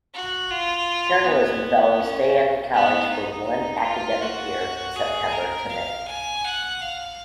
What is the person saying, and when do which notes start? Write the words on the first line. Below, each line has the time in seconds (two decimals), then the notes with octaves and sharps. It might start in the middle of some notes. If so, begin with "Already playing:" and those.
Journalism Fellows stay at the college for one academic year from September to May.
0.14 F#4
0.51 F4
1.25 B3
2.00 C#4
2.73 B3
3.10 D#4
3.84 F4
4.21 F#4
4.96 G#4
5.32 A#4
5.69 F5
6.06 G#5
6.44 F#5
6.81 F5